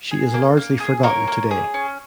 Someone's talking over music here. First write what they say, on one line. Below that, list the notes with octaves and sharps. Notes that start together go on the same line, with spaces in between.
She is largely forgotten today.
G#4
A#3
A#3
G#4
A#3 A#4 C#5
A#3
G#4
C#4